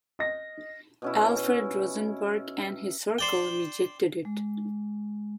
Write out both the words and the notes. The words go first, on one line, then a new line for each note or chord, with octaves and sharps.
Alfred Rosenberg and his circle rejected it.
D#5 A#6
B2 C#4 E4
C5 D5 G5
G#3